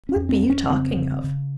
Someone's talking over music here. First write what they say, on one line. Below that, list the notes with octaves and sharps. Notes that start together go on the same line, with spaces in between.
"What be you talking of?"
C#4
F2
C4
F2
C#4
C#3 C4
C#3
C#3